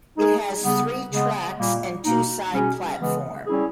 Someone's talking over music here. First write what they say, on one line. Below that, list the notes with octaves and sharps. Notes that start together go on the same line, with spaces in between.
It has three tracks and two side platforms.
G#3 D#4 G#4
C#3 G3 B3
C#3 G#3 B3
A#2 G3 A#3
B2 A#3 D#4
B2 G3 C#4 G#4
C#3 E3 G#3 B3
G3 C#4 E4 G#4